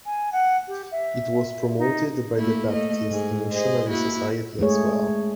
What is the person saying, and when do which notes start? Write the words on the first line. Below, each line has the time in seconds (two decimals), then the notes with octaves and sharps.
It was promoted by the Baptist Missionary Society as well.
0.06 G#5
0.33 F#5
0.68 G4
0.91 E5
1.78 D#4
2.36 A3 A#3 E4
2.73 A3 D#5
3.09 G#2 G#4
3.51 G#4 C5 D#5
3.90 A#3 E4 F#4
4.59 G#3 A3 G#4 C#5